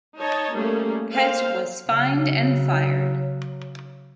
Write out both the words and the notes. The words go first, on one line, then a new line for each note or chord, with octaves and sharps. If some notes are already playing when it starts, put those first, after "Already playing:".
Pett was fined and fired.
D#4 C#5 D#5 A5
G3 A3 A#3 C#4 G#4
A#3 A4 C5 F5
C#3 F#3